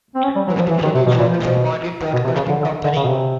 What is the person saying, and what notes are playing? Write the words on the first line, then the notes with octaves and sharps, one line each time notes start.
The station is owned by Martin Broadcasting Company.
C4
C#4
G3
F#3
F3
E3
D#3
C3
B2
A#2
B2
B2
C3
C#3
D3
D3
D3
C#3
B2
C3